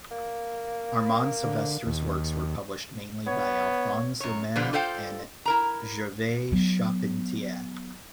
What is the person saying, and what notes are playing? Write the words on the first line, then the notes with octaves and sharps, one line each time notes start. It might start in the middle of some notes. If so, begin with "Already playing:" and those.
Armand Silvestre's works were published mainly by Alphonse Lemerre and Gervais Charpentier.
A#3
D3
D#2
B3 C#5
F#2 C#5
D3 F3 G3 F4 B4 C5
F4 A4 C5 F5 G5
E4 A#4 A#5
F#3 B3